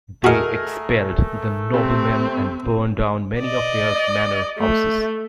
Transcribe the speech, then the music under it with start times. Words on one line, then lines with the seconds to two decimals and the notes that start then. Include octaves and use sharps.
They expelled the noblemen and burned down many of their manor houses.
0.24 A3 F#4 G#4 A#4 D#5 F6
1.74 C3 C4
3.39 D5 D#5
4.58 A3